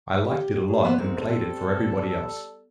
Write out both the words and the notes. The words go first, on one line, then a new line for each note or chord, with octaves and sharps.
I liked it a lot and played it for everybody else.
G4
D4 G#4 C#5
A#3 B3 C5
C2 G#2 C4
G3 A4